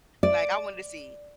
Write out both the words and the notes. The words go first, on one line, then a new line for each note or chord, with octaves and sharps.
Like, I wanted to see
D5